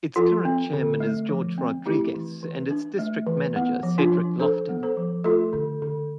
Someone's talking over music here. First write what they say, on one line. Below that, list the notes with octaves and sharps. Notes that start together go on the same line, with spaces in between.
Its current chairman is George Rodriguez, and its district manager Cedric Loftin.
F3 F4 A4
C4
D3
A3
F3
C4
A3 E4 G4
E3
E3
D4
A3
E3
B3
F3
D4 F4
F3
D4 A4 C5
B3
A4 C5
F3
A3 F4 A4
D3
D3